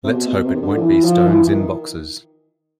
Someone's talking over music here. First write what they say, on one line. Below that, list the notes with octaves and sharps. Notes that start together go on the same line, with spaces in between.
Let's hope it won't be stones in boxes.
C3
B2
B2
C3
D#3
D3
F3
E3
F3
E3
E3
D#3